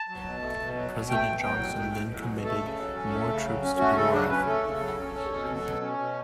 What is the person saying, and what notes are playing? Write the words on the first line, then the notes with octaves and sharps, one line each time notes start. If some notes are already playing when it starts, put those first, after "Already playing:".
President Johnson then committed more troops to the war effort.
Already playing: A5
F#3
B2
A3
B2
F#3
B2
A3 G5
B2
F#3
B2
A3
B2
F#3
B2
A3 A4
C#3
F#3
C#4
A3
C#3
F#3
C#4
A3 F#4
C#3 A4
F#3 D4
C#4 B4
A3 A4
C#3
F#3
C#4
C#4
B2
F#3
B2
C#4
B2